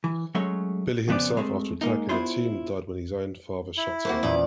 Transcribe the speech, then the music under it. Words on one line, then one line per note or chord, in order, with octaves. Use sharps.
Billy himself, after attacking the team, died when his own father shot him.
E3
F#3 G#3 A3 C#4 C#5
F2 C#3 B3 C5 D5
G#3 A3 C4
G#3 A#3 D#4
B3 D4 E4 F4 C5 C#5
E4
A#3 C4 F#4 C5
E2 A#2 C#4 D5